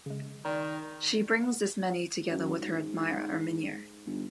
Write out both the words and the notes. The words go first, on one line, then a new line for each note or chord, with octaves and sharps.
She brings Ismene together with her admirer Erminio.
C#3 G#3
D#3 D5 G5 A#5 C6
F#2
G#2
G1